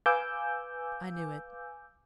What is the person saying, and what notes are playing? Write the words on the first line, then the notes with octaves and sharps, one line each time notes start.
"I knew it."
B4 F5 G#5 D6 E6 G6